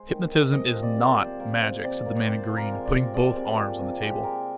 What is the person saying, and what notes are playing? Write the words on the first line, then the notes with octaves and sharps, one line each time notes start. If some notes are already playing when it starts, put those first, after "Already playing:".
"Hypnotism is not magic," said the man in green, putting both arms on the table.
Already playing: G#3 C5
D#3
D#3
C3 D#5
F3
D5
C3
C5
A#3
A#3 D5
C3
C3 D5
A#3
D5
C3 C5
F3
A#4
G#3
D5
C3
G#3 D5
C3
F3
C3
G#3 G4
G#3 A#4